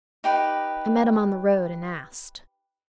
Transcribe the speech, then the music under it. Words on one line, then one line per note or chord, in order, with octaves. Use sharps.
I met him on the road and asked.'
D#4 G4 B4